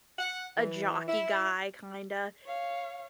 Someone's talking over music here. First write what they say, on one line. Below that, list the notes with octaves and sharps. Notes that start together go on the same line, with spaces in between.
a jockey guy kinda,
F#5
E3
E4
C#5 F5